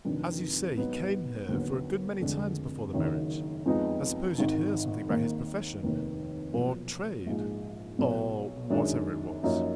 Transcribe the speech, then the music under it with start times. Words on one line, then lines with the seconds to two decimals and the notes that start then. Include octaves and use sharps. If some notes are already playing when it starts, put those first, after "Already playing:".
"As you say he came here for a good many times before the marriage, I suppose you'd hear something about his profession, or trade, or whatever it was?"
0.05 F1 F2 D#3 F#3 D4
0.77 G#2 F#3 B3 D#4
1.49 D#2 D3 F#3 B3 D#4
2.21 F1 F2 D3 G#3 D4
2.93 F#1 F#2 D#3
3.66 F2 F3 G#3 B3 D#4
4.38 G#1 G#2 D#3
5.10 D#2 D#3 A#3
5.82 F1 D#2 D#3
6.54 B1 A#2 F3
7.26 A#1 G#2 F3 G#3
7.99 B1 B2 F#3
8.70 F#2 D#3 G#3 D4
9.43 F#2 F3 A#3 D#4